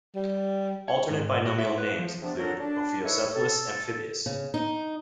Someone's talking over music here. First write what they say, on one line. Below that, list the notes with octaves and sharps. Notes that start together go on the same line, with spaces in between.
Alternate binomial names include "Ophiocephalus amphibeus".
G3
C#5
G#2
F#4
E5
B4
F3
C3 B3 D4
D3 F#3 D4 F#4 A4 A#4
D4
D#4 E4 A4 B4 C#5
A4
C#3
D#4